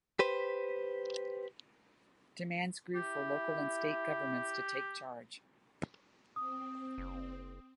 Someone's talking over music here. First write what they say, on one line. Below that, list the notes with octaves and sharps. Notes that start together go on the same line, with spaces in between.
Demands grew for local and state government to take charge.
G4 B4 C5
E4 G4
C4 D#6
F#1